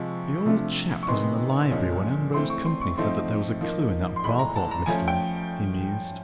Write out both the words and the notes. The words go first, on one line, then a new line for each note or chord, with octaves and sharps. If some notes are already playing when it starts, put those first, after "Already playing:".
"The old chap was in the Library when Ambrose Campany said that there was a clue in that Barthorpe history," he mused.
Already playing: C3 F3 G#3 C#6
C3 F3 A3 D4
C#6
C3 D#3 G#3 B3 D#4 C6
A#2 F3 G#3 C#4
E3 A3 C4 C6
C#6
C6
C#6
F3 A3 C4 D#4 C6
F3 A#3 D#4
C6
A2 E3 G#3 B5
A#5
A5
A#5
F3 A3 C#4 G#5
G5